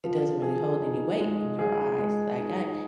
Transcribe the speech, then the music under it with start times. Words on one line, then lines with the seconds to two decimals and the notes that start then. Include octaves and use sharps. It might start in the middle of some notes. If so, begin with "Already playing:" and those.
it doesn't really hold any weight in her eyes. Like, I
0.04 F3
0.42 G#4
0.81 D#4
1.20 G#3
1.59 G#4
1.98 G#3
2.38 D#4